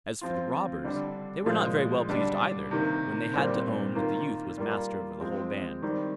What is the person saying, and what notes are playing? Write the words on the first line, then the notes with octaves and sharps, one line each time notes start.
As for the robbers, they were not very well pleased either, when they had to own that the youth was master over the whole band.
F3 C4 F4
D3 G3 D4
A#2 F3 G#3
D3 G3 D4
C3 D#3 A#3
A#2 G3 C4
D#3 A#3 F4
G3 A#3 F4
F3 G#3 C4
D#3 G3 C4